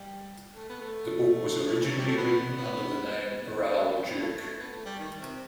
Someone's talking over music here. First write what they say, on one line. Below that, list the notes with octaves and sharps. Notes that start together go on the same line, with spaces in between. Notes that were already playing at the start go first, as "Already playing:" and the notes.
The book was originally written under the name Raoul Duke.
Already playing: G3
A3
B3
A3
E3
F#3
G3
A3
B3
B3
B3
C4
B3
A3
A3
B3
A3
G3
D#3
C3